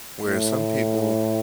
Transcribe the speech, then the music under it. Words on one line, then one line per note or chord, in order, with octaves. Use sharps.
where some people
A2